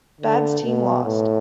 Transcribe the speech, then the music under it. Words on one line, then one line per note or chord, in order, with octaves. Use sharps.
Badd's team lost.
D3
B2
A2